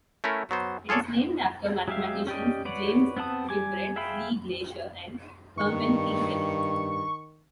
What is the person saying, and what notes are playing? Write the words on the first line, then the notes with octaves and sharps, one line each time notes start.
It is named after mathematicians James Whitbread Lee Glaisher and Hermann Kinkelin.
A3 C#4 E4 A#4
F#3 B3 C5
F4 G#4 A4 C#5 D5
F#3 G#3 G4 E5 F5
C#4 G4 D5 D#5
B4 C#5 D5 F#5
B3 C4 F#5 A5 D#6
G3 G#5 D6
G#4 E5 F5 G5 B5
G2 D#3 C#6